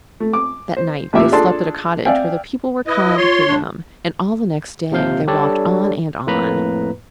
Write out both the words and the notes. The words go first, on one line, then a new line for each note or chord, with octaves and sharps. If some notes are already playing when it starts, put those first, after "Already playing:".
That night they slept at a cottage where the people were kind to them, and all the next day they walked on and on.
A3
D6
C5
A1 F3 A#3 G4 E5 D6
D4 F4 G#4 A4 A5 C6
D5 E5 F5 G5 G#5
E4 B4 D#5
F4 C#5 C6
D4
D#2 C3 F3 F5 G6
G3 D4 G4 A4 C#5 D5
F2 A2 A#3 B4 A#5 B5